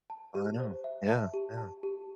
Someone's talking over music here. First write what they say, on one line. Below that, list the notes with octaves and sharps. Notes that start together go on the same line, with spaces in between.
I know. Yeah, yeah.
A5
G4
C5
E5
A5
G4
A5
G4